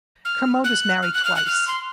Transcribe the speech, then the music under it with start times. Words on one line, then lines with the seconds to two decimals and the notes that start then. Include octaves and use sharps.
Kermode was married twice.
0.25 F6
0.64 F#6
1.02 F6
1.14 F#6
1.25 F6
1.36 F#6
1.46 F6
1.67 C6